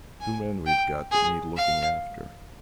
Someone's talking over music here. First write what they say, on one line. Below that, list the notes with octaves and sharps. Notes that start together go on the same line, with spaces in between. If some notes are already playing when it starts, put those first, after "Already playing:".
"Two men we've got that need looking after."
G#5
G5
G#4
F5